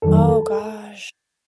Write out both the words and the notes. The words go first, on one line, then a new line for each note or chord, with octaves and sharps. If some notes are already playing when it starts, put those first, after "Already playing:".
Oh, gosh.
F2 D#3 F#3 A4
A4